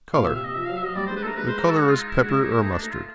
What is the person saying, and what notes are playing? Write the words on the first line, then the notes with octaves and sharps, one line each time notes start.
COLOUR--The colour is pepper or mustard.
A#2 F5
E5
C3 E5
D#5
F3 E5
F#3 F5
E5
F#3 D#5
G3 D5
G#3 C5
B4
A3 A4 A#4
G#3 B4
C5
A#4
A4
F#4
F4
D#4
E4
G#3 F#4
E4
D#4
E4
A3 D#4
D4
A3 D#4
F4